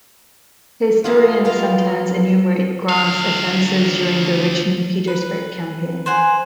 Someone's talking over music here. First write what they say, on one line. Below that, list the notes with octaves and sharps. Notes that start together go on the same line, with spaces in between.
Historians sometimes enumerate Grant's offensives during the Richmond-Petersburg Campaign.
B3 F4 G#4 E5
F4 A#4 F5
D2 F5
B4
C5 F#5 G#5